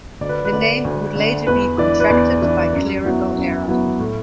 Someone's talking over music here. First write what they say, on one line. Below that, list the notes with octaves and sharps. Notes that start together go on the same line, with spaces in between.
The name would later be contracted by clerical error.
D2 D5
B4
B4
D3 A3 D4 D5
D2
D3 A3 D4
E2 B4
E3 D4 D5
B4
E2 D5
E3 D4
F#2
F#3 B3 E4
F#2
F#3 B3 E4
A2